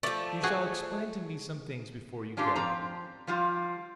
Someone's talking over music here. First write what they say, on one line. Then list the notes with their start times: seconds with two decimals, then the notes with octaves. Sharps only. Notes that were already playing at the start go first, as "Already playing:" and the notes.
"You shall explain to me some things before you go."
0.03 F3 A3 D5
0.43 F#4 G#4
2.37 C#4 D4 F4 G4 A4
2.55 F3 C4 A#5
3.27 F3 G3 F4